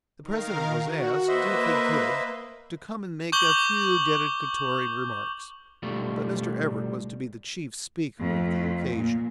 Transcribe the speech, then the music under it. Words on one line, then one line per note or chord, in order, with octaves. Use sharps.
The President was asked, if he could, to come and make a few dedicatory remarks, but Mr. Everett was to be the chief speaker of the occasion.
D#3 A#4 F5
F#4
A#3 B4 C5 D#5 E5
C#6 D6 G6 F#7 G7
B1 G3 A3 F4
F2 A3
A#2